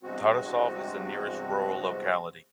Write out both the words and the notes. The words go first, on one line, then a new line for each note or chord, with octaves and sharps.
Tarasov is the nearest rural locality.
E2 G2 C3 G#3 C4 F#4